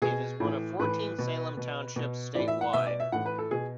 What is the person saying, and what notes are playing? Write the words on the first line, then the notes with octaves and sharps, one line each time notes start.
It is one of fourteen Salem Townships statewide.
B2 G#4
A2 E3
A2 E3 B4
B2
B2
B2
A2 E3 D5
E5
F#5
B2 E5
D5
E5
A2 E3 F#5
B4
A4
B2 G#4